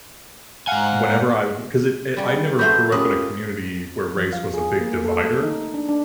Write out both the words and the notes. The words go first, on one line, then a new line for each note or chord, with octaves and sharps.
whenever I w 'cause it it I never grew up in a community where race was a big divider.
G#2 F5 F#5 G#5
C#3 G3
F#3 A3 B4 C5 G6
C#4 F4 G4 A#4 B4 D#6
F3
F5
G#4
A#3
A4
A3
D#4
D4
D4